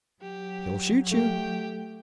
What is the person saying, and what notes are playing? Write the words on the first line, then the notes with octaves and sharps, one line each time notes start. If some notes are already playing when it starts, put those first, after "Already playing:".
"He'll shoot you."
F#3 G4
A3 G4 G5